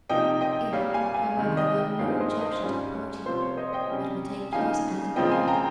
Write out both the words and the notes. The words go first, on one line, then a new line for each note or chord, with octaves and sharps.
If, however, you have no objection to the party, it will take place as agreed.
C3 F3 A#3 D#4 D#5 G5
D#5 G5
A#2 G3 A#3 C#5 F5
F5 G#5
F5 G#5
F2 C3 D#3
D#5 G5
D#5 G5
G2 F3 G#3 D#4 C#5 F5
C5 D#5
C5 D#5
G#2 G3 C#4 F4 C#5
C#5
C3 F3 C4 F4 C5
C#5
C5 D#5
D#5 G5
C3 G3 C#4
C#3 F3 A#3 D#4 F5 G#5
C#3 F3 C4 F4 D#5 G5
F5 G#5
G5 A#5